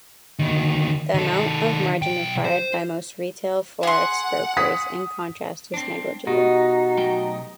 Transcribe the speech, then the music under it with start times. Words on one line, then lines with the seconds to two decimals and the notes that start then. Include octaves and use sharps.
The amount of margin required by most retail forex brokers in contrast is negligible.
0.39 D2 D#3
1.14 D#3 A4
2.02 B1 G5
2.45 C5
3.83 G#4 F#5 C6
4.57 D#6 B6
5.74 C4 D4
6.27 B2 D#4 F#4 G4 D#5
6.98 B1 A3 G5